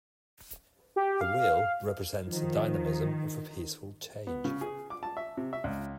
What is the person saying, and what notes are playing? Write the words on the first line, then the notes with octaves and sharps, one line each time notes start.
The wheel represents the dynamism of a peaceful change.
G4
F5
D#3 F3
B3
C#3
G#4
D6
A5
E5
C3
E5
C#2